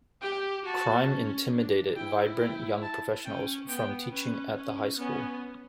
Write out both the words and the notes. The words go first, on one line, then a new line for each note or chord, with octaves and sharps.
Crime intimidated vibrant young professionals from teaching at the high school.
G4 G5
F#4 A5
C#4
D4
E4 G5
G5
A5
C#4 G5
B3 G5
C#4 B4
C#4
B3 C#4